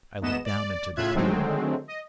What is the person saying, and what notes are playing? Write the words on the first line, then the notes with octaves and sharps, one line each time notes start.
I looked down into the pool.
D2 G#2 B3 D#5 E7
D5
A2 C#3 F4 E5 F#6 G#6
D3 D#3 F#3 G#3 A3 C4
D#5